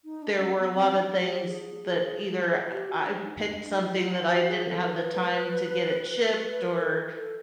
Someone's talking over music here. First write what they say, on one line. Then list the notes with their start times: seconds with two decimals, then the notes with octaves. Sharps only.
there were a lot of things that either I I picked something that I didn't have the time to get it shipped or
0.04 D#4
0.22 D4
0.39 C#4
0.57 B3
0.75 C4
0.93 D4
1.11 F#4
1.29 G4
1.46 G#4
2.71 G4
2.89 F#4
3.06 D4
3.25 D#4
3.38 D#4
3.51 D4
3.65 D4
3.78 E4
3.95 F4
4.13 F4
4.31 F#4
4.50 G#4
4.66 A4
4.84 B4
4.93 C5
5.01 B4
6.44 B4
6.62 A#4
6.80 A4
6.97 B4
7.16 A4